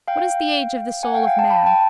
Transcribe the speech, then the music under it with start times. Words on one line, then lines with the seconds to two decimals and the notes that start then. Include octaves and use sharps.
What is the age of the soul of man?
0.08 F5 G5
1.03 F#5 G#5
1.14 F5 G5
1.27 F5 G5
1.39 G5 A5
1.51 A5 B5
1.66 G5 A5